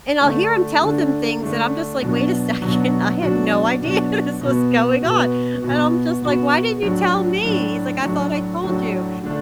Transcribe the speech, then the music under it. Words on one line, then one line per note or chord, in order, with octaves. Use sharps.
and I'll hear him tell them things, and I'm just like, "Wait a second, I had no idea this was going on." and I'm just like, "Why didn't you tell me?" he's like, "I thought I told you."
D3 A3 D4
D3 A3 D4
D3 A3 D4
B2 F#3 D4 F#4
B2 F#3 D4 F#4
B2 F#3 D4 F#4
B2 F#3 D4 F#4
B2 B3 F#4
B2 B3 F#4
B2 B3 F#4
B2 B3 F#4
A2 F#3 D4 F#4
A2 F#3 D4 F#4
A2 F#3 D4 F#4
A2 F#3 D4 F#4
D3 A3 D4